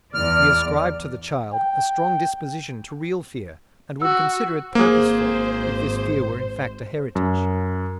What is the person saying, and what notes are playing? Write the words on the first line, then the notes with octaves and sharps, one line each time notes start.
We ascribe to the child a strong disposition to real fear and would consider it purposeful if this fear were in fact a heritage.
E2 D5 F6
G5
F#4 E6
G#1 A#3 G#4 C5
F#2